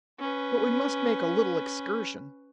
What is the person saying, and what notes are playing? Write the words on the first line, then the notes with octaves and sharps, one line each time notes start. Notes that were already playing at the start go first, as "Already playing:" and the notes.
But we must make a little excursion.
C#4 B4